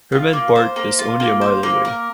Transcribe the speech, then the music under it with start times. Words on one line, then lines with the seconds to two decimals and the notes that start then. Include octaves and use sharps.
Hermann Park is only a mile away.
0.12 F4
0.33 A#3
0.56 C5
0.76 A#3
0.99 F4
1.20 A#3
1.41 C5
1.63 A#3
1.85 A#4